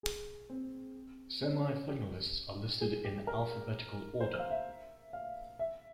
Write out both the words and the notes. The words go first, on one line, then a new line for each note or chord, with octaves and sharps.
Semi-finalists are listed in alphabetical order.
G#4
C4
C#4
G4
G#4
G4
A#4
C5
F5
E5
F5
E5